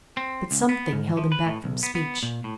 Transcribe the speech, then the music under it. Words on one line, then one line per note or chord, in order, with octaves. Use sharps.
But something held him back from speech.
C4
C#2
B3
G#2
F3
B4
A2
B1
B3
B3
A#2
A2